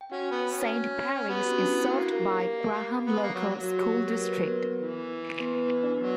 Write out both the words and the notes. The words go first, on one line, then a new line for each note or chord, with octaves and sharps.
Saint Paris is served by Graham Local School District.
G5
C#4 F#4 F#5
B3
C#4
B3 G4
F#4
C#4
D4
E4
E4
A#3 F#4
A#4
G4
B3
A#3
F#3
F#3
F#4
G4
G4
A#3 A#4
B4
A#4
B3 B4
E3
B3 B4
B3 B4
D4 D5
F#3 B3 B4